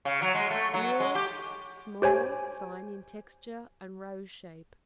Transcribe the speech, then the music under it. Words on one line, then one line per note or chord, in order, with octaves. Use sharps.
EARS--Small, fine in texture and rose shape.
C#3
F#3
G#3
A3
F#3
G#3
G4
G4 C5 C#5 G#5